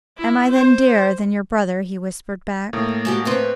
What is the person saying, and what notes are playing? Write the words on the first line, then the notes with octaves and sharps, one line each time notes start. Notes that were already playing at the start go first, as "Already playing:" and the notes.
"Am I then dearer than your brother?" he whispered back.
E4
C5
A2 A#3
G#3 F#4 G4
C4 B4 C#5